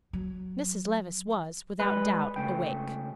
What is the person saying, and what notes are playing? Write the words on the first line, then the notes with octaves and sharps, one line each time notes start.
Mrs. Levice was, without doubt, awake.
F#3
G3 G#3 B4 D#5
C#2 C#3 A3 G5